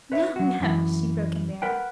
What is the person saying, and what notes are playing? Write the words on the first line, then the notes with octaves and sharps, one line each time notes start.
"No, no!" she broke in merrily.
B4 C#5 E5
F#3 F#4
F#2 E3
A#4 B4 F#5 G5